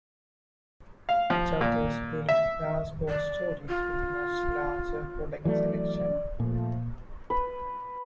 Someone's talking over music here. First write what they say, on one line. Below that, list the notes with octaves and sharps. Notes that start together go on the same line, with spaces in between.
Chapters built large box stores with a much larger product selection.
F5
F3
A#2
E5
D5
F4
E3 F#3 A3 D5
A#2 F3 A3
B4